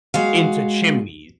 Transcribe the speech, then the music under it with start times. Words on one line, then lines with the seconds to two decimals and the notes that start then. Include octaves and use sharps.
into chimneys
0.14 G#3 F#4 F5